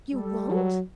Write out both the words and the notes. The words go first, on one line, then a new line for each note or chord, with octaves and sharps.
"You won't!"
G3 A4
F#3